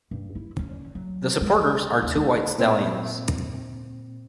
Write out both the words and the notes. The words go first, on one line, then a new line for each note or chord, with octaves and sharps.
The supporters are two white stallions.
G2
E4
C#4
F#3
G#3
D#2
G#3
A#2 C4